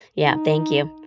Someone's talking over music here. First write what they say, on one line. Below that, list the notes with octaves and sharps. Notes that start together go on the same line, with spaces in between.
Yeah, thank you.
D#4